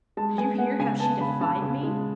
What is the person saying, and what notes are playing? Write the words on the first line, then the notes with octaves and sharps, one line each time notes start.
Did you hear how she defied me?
G#3 A5
B3 G#5
B3 F#5
C#3 G#5
B3 A5
C#3 B5
C#3 A5
C#3
G#3